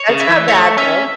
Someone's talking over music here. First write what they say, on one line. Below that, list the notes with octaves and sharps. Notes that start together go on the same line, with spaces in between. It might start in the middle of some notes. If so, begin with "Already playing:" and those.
That's not bad, though.
Already playing: C#5
C#3
E5
E3
A3 C#5
C#4 E5